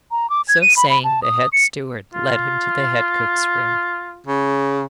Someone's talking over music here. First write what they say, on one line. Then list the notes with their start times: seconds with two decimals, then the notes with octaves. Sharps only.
So saying, the head steward led him to the head cook's room.
0.11 A#5
0.30 D6
0.48 G#6
0.62 D#7
0.77 B5
0.90 B5
1.04 A5
1.23 D#6
1.53 C#7
2.14 F4
4.27 C#3